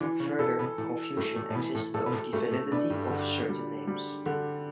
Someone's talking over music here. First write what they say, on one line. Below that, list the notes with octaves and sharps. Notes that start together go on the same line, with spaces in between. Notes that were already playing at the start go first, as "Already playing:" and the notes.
Further confusion existed over the validity of certain names.
D3 E3
C#3
B2 A4
B2
A2 E3
G2 A3
A2
A2
B2 E3
A2
A2 A4
B2
A2
G2 A3
A2
B2 D4
G2
D3
G3
G3
D3